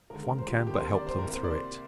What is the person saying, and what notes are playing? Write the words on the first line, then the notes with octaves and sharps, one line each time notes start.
If one can but help them through it!
D#2 D3 G#3 A#4
A#4
C5
F4
G4
D2 C3 D#3 G3 A#3 G4
C5
A#4
D5
C5
C2 C3 G3 A#3 A#4
C5
D5
C5